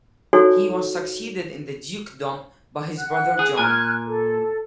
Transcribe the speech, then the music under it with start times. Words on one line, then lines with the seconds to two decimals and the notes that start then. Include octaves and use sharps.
He was succeeded in the dukedom by his brother John.
0.33 D#4 F#4 A4 C#5 D5 G#5
2.98 F#5 F#6
3.39 G#4
3.57 A#2 G#5 F6 F#6 G#6
4.07 A4